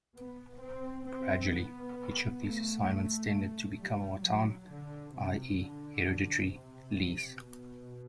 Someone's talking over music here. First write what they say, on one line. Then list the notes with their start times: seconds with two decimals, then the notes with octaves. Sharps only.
Gradually, each of these assignments tended to become a 'watan' i e, hereditary lease.
0.16 B3
0.61 C4
1.07 C4
1.52 B3
2.42 A3
3.79 G3
4.24 F#3
4.69 D3
5.15 C3
5.59 D3
6.50 C3
7.41 B2